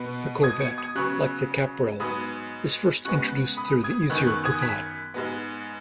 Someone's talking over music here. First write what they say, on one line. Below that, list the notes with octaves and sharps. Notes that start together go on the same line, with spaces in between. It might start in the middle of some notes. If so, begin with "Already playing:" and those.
The courbette, like the capriole, is first introduced through the easier croupade.
Already playing: B2 B3
D#6 G#6
G#6 C#7
D#6 G#6
C#3 F#3 B3 C#6 F#6
G#2 F#3 B3 B5 D#6
C#3 G#3 B3 C#6 F#6
B5 D#6
D#6 G#6
F#2 D#3 B3 C#6 F#6
C#6 F#6
D#6 G#6
F#6 B6
G#2 G#3 B3